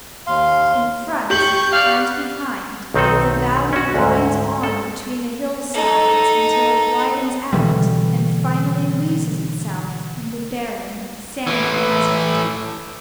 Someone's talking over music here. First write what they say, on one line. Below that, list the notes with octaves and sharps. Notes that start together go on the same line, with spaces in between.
In front and behind, the valley winds on between the hill-sides until it widens out and finally loses itself in the barren, sandy desert.
D#2 F5 C6
G4 C#6 G6 F#7
D5 F5 F#6
B1 D#3 C4 D#4 A4
C#4 F#4
D2 G#2
A4
D#4 A4
B2 D3 E3 G3
A2 E3